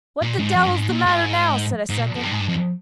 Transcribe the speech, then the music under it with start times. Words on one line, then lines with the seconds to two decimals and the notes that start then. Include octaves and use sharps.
"What the devil's the matter now!" said a second.
0.22 A#2
0.39 G#2
0.56 F2
0.67 G2
0.78 G#2
0.89 A#2
1.06 G#2
1.89 G#2
1.98 A#2
2.15 F2
2.23 G2
2.32 G#2
2.40 G2
2.48 F2